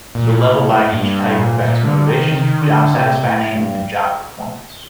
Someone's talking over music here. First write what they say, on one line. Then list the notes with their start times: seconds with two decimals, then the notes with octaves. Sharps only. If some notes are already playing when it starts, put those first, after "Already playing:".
The level by each type affects motivation, job satisfaction, and job performance.
0.15 A#2
0.45 A2
0.92 G2
1.38 A#2
1.61 A#2
1.84 D3
2.08 D#3
2.31 D#3
2.61 D3
2.93 C3
3.23 A2
3.55 G2